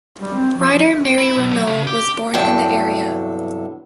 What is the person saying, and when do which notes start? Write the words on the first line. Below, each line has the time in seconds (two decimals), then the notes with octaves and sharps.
Writer Mary Renault was born in the area.
0.21 G3
0.34 C4
0.56 F3
1.05 G5
1.18 E4
1.36 B1
1.53 F#3
1.67 C#3
1.87 G4
2.34 E2 G2 C3 F#3 A4 G5